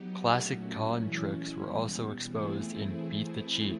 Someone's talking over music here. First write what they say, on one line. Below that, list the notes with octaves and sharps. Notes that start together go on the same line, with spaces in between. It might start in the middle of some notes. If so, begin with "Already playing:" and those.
Classic con tricks were also exposed in "Beat the Cheat".
Already playing: F#3 B3 D#4 G4
A#2 F#3 A3 C#4 F#4
E3 G#3 C#4 E4
E2 B2 G3
E3 A3 C4 E4 G#4